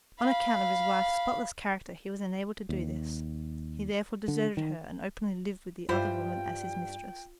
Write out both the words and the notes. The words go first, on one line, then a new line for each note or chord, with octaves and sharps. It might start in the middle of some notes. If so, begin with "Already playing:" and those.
On account of his wife's spotless character he was unable to do this; he therefore deserted her and openly lived with the other woman as his mistress.
F5 B5
D#2
D3
D#3
G2 G3 E4 F4 G4 C5 G5